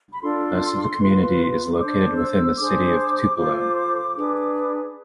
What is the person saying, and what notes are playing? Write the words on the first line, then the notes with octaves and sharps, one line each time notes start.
Most of the community is located within the city of Tupelo.
B5
D4 F4 A4 C6
F4 B4
C6
D4 A4 C5 D6
E6
D4 G#4 C5 D6
F4 A4 C5
D4 G#4 B4